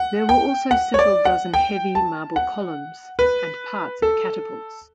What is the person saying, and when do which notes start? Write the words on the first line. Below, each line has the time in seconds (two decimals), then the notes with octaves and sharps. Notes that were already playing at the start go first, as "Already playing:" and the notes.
There were also several dozen heavy marble columns and parts of catapults.
Already playing: F#5
0.29 G5
0.71 F#5
0.94 C#5
0.99 D5
1.25 F#5
1.54 G5
1.95 A5
2.36 F#5
3.19 B4
4.02 A4